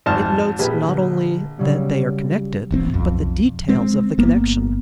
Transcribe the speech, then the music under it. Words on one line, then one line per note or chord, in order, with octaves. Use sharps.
It notes not only that they are connected, but the details of the connection.
G#1 F2 A5 F6
A#1 G4 G#4 B4
D3
C#3 F#3 G3
D1 A1 B3 C4
B1 F2
G#3 C4
G1 A#3 B3